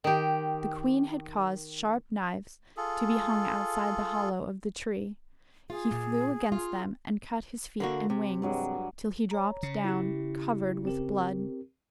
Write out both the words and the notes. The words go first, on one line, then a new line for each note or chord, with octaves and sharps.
The queen had caused sharp knives to be hung outside the hollow of the tree: he flew against them and cut his feet and wings, till he dropped down, covered with blood.
D#3 G4
F4 G#4 A4
F4 G#4
A#2
F4
D3 A#3 F#4
C3
G2 F#3 G#3
C#5 A#5
C#3
E4 G4
C4 G4 A#4